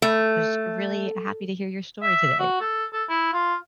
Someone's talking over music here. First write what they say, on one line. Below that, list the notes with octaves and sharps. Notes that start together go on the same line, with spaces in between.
was really happy to hear your story today.
A3
E5
F#4
A4
A4
E4
F4